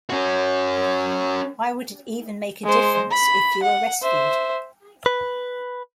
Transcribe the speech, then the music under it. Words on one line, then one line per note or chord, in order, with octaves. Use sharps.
Why would it even make a difference if you are rescued?
C#4 F#4
G#3 C5
B5
F#5
C5 E5
B4